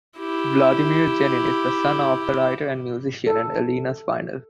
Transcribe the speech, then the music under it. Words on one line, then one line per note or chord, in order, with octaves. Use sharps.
Vladimir Genin is the son of the writer and musician and Elena Spinel.
E4 G4
A4